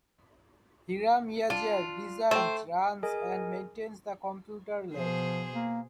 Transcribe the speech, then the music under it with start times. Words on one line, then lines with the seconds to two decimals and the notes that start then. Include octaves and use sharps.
Hiram Yeager designed, runs, and maintains the computer lab.
1.50 D4 F4
2.31 A3 C5 G5
3.03 G#4 A#4 D#5 G#5
4.94 B2 F3 G#4 C5
5.53 A#3